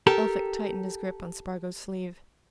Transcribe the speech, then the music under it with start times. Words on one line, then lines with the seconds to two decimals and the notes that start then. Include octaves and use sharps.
Elphick tightened his grip on Spargo's sleeve.
0.07 G4 A4 A#4